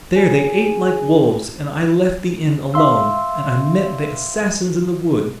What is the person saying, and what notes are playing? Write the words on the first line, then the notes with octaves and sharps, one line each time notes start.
There they ate like wolves and I left the Inn alone and I met the Assassins in the wood.
G#4
E5 F5 C6 E6